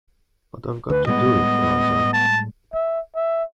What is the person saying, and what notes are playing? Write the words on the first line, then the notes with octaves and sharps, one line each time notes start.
But I’ve got to do it, Eliza.
D2 D3 B4
A2 G3 G#3 B3 D#5
A5
E5
E5